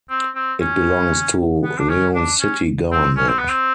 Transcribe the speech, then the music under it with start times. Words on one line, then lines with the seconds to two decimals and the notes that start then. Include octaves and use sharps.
It belongs to León city government.
0.10 C4
0.35 C4
0.61 C#4
1.64 B3
1.78 D4
1.89 C#4
2.15 D4
2.40 C#4
2.92 C4
3.17 C#4
3.28 C4
3.39 B3
3.50 C4